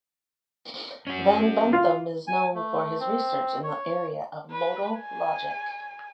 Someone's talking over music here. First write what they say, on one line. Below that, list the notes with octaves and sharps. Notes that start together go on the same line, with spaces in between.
Van Benthem is known for his research in the area of modal logic.
C#4 F#4
F4
G#5
A3
C4
C#5
B4
G#5